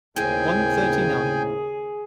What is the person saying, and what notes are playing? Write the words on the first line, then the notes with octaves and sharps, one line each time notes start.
One thirty-nine.
D#2 A2 C#3 C4 G#4 G5 G#5